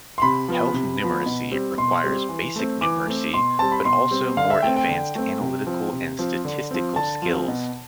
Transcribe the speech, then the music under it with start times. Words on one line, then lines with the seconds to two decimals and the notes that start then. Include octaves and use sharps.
Health numeracy requires basic numeracy but also more advanced analytical and statistical skills.
0.18 C6
0.22 C3 B5
0.48 F3 B3
0.74 C3
1.00 F3 B3
1.26 B2
1.51 G3 C4
1.78 B2 C6
2.04 G3 C4
2.29 E3
2.56 A3 C4
2.81 E3 D6
3.07 A3 C4
3.33 B2 C6
3.59 G3 C4 A5
3.72 B5
3.85 B2 C6
4.11 G3 C4
4.37 D3 F5
4.50 E5
4.62 A3 C4 G5
4.76 G5
4.89 D3
5.15 A3 C4
5.41 C3
5.66 F3 C4
5.93 C3
6.19 F3 C4
6.45 D3
6.71 F3 C4
6.96 D3 A5
7.22 F3 C4
7.48 B2